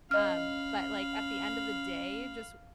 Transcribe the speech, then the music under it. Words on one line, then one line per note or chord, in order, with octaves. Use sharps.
Um, but, like, at the end of the day, just,
C#4 D#5 F5 B5 F6